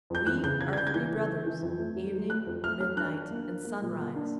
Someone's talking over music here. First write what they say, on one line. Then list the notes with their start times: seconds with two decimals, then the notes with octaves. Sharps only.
"We are three brothers--Evening, Midnight, and Sunrise."
0.10 F2 G6
0.26 E3 F#6
0.44 C#3 G6
0.60 C#3 G#6
0.73 G#6
0.77 C#3 G6
0.87 G#6
0.94 E3 G6
1.11 C#3
1.28 E3
1.46 E3
1.62 F2
1.79 A3
1.96 F#3
2.13 F#3
2.30 A3 F#6
2.47 F2
2.64 A3 F6
2.80 F#3 F6
2.97 D4 F#6
3.14 D4
3.31 A#3
3.49 A#3
3.65 A#3
3.82 A#2
3.99 A#3
4.16 D4